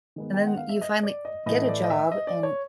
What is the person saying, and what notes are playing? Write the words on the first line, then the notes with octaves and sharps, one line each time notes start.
and then you finally get a job, and
D#3 G#3 B3
G5
F#5
F5
E5
D#5
D5
D#5
A2 E3 A3 D#5
D5
D#5
E5
D#5
D5
C#5